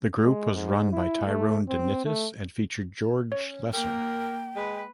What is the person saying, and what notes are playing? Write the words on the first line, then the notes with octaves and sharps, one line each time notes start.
The group was run by Tyrone DeNittis and featured George Lesser.
G#3
G#2
E4
A3
C4
A3
C#4 C#5
A#3 A#4 G5
G#3 B4